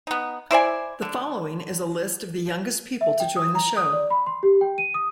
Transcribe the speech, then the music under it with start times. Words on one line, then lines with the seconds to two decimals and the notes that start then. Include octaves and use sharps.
The following is a list of the youngest people to join the show.
0.07 B3 D#4
0.51 E4 C5 D5 G#5
1.02 D3
3.01 E5
3.20 G5
3.36 D#6
3.55 A#5
3.77 D#6
3.93 D5
4.10 B5
4.26 C6
4.43 G4
4.61 G5
4.78 D#7
4.94 D#6